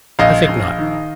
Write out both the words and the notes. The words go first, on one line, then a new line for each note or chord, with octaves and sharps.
I think not.
A#1 D#5 F5
A#1
D#3